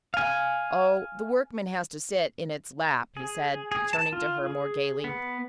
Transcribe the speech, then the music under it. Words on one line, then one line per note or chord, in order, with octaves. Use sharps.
"Oh, the workman has to sit in its lap," he said, turning to her more gaily.
F5 G#5
G#4
G#4
A5
F4
G#4
B3